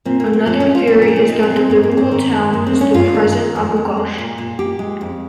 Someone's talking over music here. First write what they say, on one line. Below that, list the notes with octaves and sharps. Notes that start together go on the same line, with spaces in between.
Another theory is that the biblical town is the present Abu Ghosh.
A#2 C4
A#3
A#2
C4
F3 C4
C#4
G#3
F4
A#2 A#3
A#3
F3
C#4
A#2 D#4
C4
G#3
C4
G#2 C4
A#3
G#2
C4
D#3
G#2
G2 A#3
C4
G2
C#4
G2 F4
D#3
D#3
F2
G#3
G#3
A#2
A#2
A#2 G4
G#3
F2